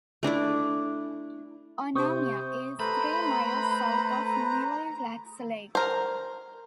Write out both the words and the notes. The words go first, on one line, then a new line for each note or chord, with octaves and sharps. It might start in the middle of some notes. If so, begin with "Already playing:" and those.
Onamia is three miles south of Mille Lacs Lake.
A3 D4 E4 D5
C3 C4 C5 C#6 D#6 G6
A3 B4 C5 A#5 B5
A#4 C5